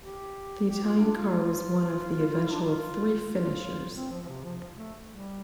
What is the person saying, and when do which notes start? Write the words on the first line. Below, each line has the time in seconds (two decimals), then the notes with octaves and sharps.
The Italian car was one of the eventual three finishers.
0.02 G4
0.68 G4
0.84 F4
1.01 D4
1.17 F4
2.52 D4
2.64 F4
3.30 F4
3.96 C4
4.12 F3
4.28 C3
4.44 F3
4.77 A3
5.10 G3